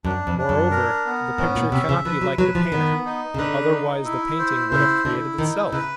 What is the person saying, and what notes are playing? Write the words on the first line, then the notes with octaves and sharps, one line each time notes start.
Moreover, the picture cannot be like the painter; otherwise, the painting would have created itself.
F#2 D4
F2
D4
F#2
A#4
B3
G#2 C#4
A#2
C3 E5
C#3
F3 B4
F#3
F#3 B4
F3
D#3 B3
D#4
C#3
D3 B4
D#4
E4
C5
C#3 E4
D3 E4
D#3 D#4
C#3 B4